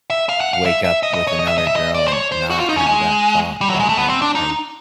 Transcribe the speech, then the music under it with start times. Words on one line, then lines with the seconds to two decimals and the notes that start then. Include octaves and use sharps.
wake up with another girl and not have that thought- like, I I
0.10 E5
0.29 F5
0.41 F#5
0.53 F5
0.65 E5
0.84 E5
1.03 D#5
1.14 D#5
1.27 C#5
1.39 D#5
1.48 E5
1.58 D#5
1.67 E5
1.76 D#5
1.94 D5
2.08 C5
2.13 C#5
2.32 C5
2.50 F#4
2.60 F4
2.69 D#4
2.77 C#4
2.87 G#3
3.61 G3
3.70 F#3
3.80 G#3
3.89 A3
3.97 B3
4.09 C4
4.22 D4
4.35 D#4